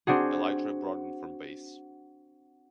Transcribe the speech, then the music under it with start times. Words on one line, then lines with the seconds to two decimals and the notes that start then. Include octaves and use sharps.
Elytra broadened from base.
0.07 C4 D4 F#4 G#4